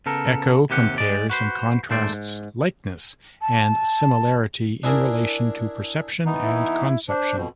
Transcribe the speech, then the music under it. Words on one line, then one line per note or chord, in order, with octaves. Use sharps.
Eco compares and contrasts "likeness" and "similarity" in relation to perception and conception.
C#3 B3 A4 A#4
D#2 C3 G4 F#5
G#3 D5
F#4 B4 C5
D#2 G#2 A3 C5 D5
G#2
A5
D4 E4 G#4 A#4 D5
E3 B3 D#4
E4
D4 C5
F2 B2